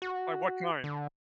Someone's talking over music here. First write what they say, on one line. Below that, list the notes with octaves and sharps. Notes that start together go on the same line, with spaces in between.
Like, what kind?
F#4
D3